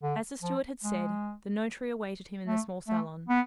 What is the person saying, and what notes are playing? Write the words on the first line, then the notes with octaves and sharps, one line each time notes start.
As the steward had said, the notary awaited him in the small salon.
D3
F3
G#3
A3
A3
B3